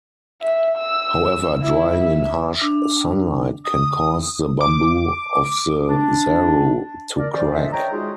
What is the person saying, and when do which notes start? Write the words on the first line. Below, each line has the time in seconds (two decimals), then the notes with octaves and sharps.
However, drying in harsh sunlight can cause the bamboo of the "zaru" to crack.
0.42 E5
0.78 E6
1.62 E4
1.98 E5
2.61 D4
3.64 D#6
4.61 D6
5.89 D4
7.17 A#4 D5
7.32 D#3 F3 C#4 C5 D5
7.53 D4 F4 A4 D#5 E5
7.72 C#5 D#5 G5 A#5
7.92 G#3 D#4 F4 F#4 G#4